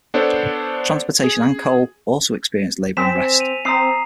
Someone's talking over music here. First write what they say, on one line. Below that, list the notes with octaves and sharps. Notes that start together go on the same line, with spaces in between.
Transportation and coal also experienced labor unrest.
B3 D4 A4 C5 C#5
G#4
C4 G#5 B6 E7
D#7 F7
C4 A#5 D#6 C7